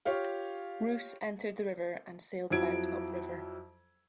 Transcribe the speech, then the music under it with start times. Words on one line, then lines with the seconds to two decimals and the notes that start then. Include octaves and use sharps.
Rous entered the river and sailed about up river.
0.05 F4 G4 C#5 F5
2.50 F2 F3 F#3 E4 G#6 D7